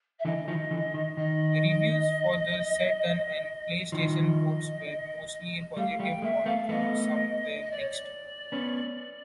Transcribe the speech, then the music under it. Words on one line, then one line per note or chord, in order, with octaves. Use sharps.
Reviews for the Saturn and PlayStation ports were mostly positive although some were mixed.
E5
D3 E3 D#5
D#3 F3
D3 E3
D#3
D#3 D#5
D#3 F3 D#5
G3 A3 F5
G3 A3 G5
G#3 A#3 E5
A3 B3 F5
A3 B3 D#5
D#5
D5
C#5
D5
B3 C#4